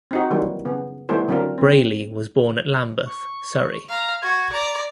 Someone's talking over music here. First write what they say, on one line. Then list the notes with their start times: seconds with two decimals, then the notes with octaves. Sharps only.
Brayley was born at Lambeth, Surrey.
0.11 C4 D#4 F#4
0.30 D#3 E3 F#3 G3 A#3
0.65 C#3 B3
1.09 D#3 G3 A3 B3 E4 C5
1.28 D3 F#3 C4 D4 F4 A#4
1.58 C4
3.06 C#6
3.89 F5 A#5
4.22 F#4 G#6
4.53 D5 A#5